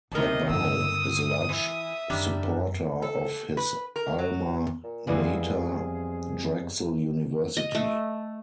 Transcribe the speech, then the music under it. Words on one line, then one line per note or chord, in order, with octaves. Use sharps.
LeBow is a large supporter of his alma mater, Drexel University.
D2 C3 D#3 A#4 D#5 A5
G2 D3 D#6 E6
E3 E5
F#2 D#3 G3 D4
A4
B4
A#4
F#3
A#2
F2 E3 G3 B3 C4 G#4
D#5
A3